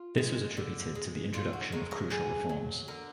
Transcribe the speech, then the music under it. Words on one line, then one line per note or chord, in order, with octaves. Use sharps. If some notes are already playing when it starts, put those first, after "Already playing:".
This was attributed to the introduction of crucial reforms.
Already playing: F4
G#3
D3
G#3
D3 F4
F#4
G#3 A#4
A#4
D3 G#4
F#3
D3 A#4